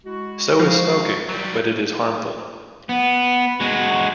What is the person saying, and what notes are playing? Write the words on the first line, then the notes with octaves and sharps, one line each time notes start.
So is smoking, but it is harmful.
G#3 E4 F#4
F3 F5
F#3 G3
B3
G#3 F#4